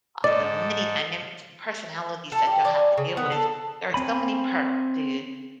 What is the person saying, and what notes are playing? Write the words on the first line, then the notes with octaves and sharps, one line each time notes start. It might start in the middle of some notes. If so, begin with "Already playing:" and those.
a the many dynamics and personalities that you'll have to deal with. There are so many perks to,
G#2 A4 D5 D#5
A4
G4
D5
G#5
C#3
B3
A4
C4 G#5 B5